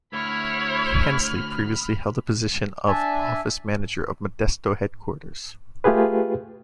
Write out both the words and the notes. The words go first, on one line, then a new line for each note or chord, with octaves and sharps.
Hensley previously held the position of office manager of Modesto Headquarters.
D2 E4 C#5 B5 F6
D4 E5 G#5 A5
A3 F4 G4 G#4 B4